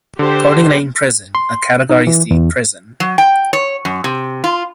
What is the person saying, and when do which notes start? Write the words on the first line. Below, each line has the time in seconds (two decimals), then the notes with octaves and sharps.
Coldingley Prison - a Category C prison.
0.19 D3 G4 C5
1.35 C6
1.90 D#4
2.07 E3
2.31 E2
3.00 F#3
3.18 G5
3.53 C#5
3.85 F#2
4.04 C3
4.44 F4